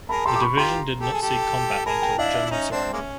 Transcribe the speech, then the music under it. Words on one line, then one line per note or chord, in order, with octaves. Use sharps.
The division did not see combat until German surrender.
G#4 A#4 A5 B5
G4 A4 A#5 C6
D6
B5 C#6
F4 G4 A#5 C6
G4 A4
G#4
G4 A4
G#4 A#4 A5 B5
G5 A5
D4 E4 D#5 F5
E5
E4
C#4 D#4
C4 D4
G#3 A#3 C#4